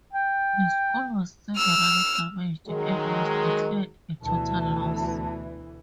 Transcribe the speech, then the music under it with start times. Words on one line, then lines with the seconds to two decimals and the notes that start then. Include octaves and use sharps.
The school was severely damaged and was declared a total loss.
0.13 G5
1.56 E6 F6
2.68 D#3 F#3 G#3
4.22 D2 B2 E3 A5